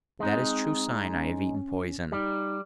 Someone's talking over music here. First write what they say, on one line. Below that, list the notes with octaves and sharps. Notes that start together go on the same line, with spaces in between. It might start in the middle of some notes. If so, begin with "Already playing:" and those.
That is true sign I have eaten poison....
G#3 C4 D#4
C#4
G3 D#4